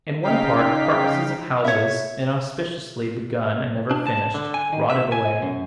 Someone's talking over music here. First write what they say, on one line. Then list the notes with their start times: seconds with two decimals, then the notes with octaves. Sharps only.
In one part, carcases of houses, inauspiciously begun and never finished, rotted away.
0.23 C#3 D#4 F5 G5 B6
1.64 C#5 E5
3.91 D4
4.07 A5
4.34 D3
4.54 G#5
4.73 D#3
4.90 E5
5.12 G#5
5.42 F#2